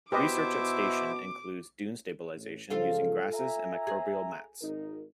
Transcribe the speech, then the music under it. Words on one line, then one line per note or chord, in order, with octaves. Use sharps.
Research at station includes dune stabilization using grasses and microbial mats.
B2 E4 G4 B4 C5 D#5 E5 D6
A1
G#2 C#3 F3 F4 A4 F5
E5 G#5 A#5
G#4
G#1 D#4 A#4